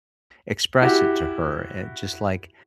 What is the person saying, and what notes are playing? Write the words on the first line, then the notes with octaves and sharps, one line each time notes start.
express it to her, eh, just like,
E4 F#4 G4